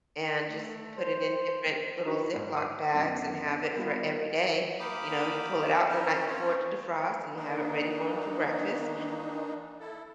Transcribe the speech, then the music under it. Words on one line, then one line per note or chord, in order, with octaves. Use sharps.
and just put it in different little Ziploc bags and have it for every day. You know, you pull it out the night before to defrost, and you have it ready for him for breakfast
A3
C5
D#4 E4 F#4 B4
G#2
D6 D#7
F#2 B2
G3 B3 F4
A#3 G4 B5 D6 D#6
C#4 G4 A#4 B4
C4 C#4 C#5
D#3 E3 A#3 D4 D#4
E4 A4